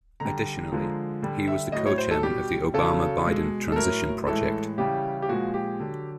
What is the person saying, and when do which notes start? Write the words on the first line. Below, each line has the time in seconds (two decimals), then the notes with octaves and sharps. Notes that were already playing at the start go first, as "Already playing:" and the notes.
Additionally, he was a co-chairman of the Obama-Biden Transition Project.
0.20 D3 G3 A#5
0.72 D3 F3 G#3
1.22 D3 G3
1.48 E5
1.72 A2 F#3 D#5
1.86 C#5
1.98 C5
2.11 A4
2.23 B2 G3 G4
2.74 C#3 F#3 A4
3.25 B2 G#3
3.72 A4
3.76 A2 F#3 A#4
4.27 A2 E3 G#3 A4
4.78 C#3 E3 G3 G4
5.22 G4
5.28 A#2 F3 G#3 F#4
5.54 G4
5.80 D3 F#3